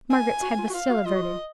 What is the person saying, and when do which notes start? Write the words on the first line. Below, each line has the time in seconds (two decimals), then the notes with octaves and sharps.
Margaret's head was still averted.
0.10 G#5
0.42 F#4
0.58 F4
0.69 F#4
0.74 F4 F5
0.90 F#4
1.06 F4 D#5
1.15 F#4
1.22 F4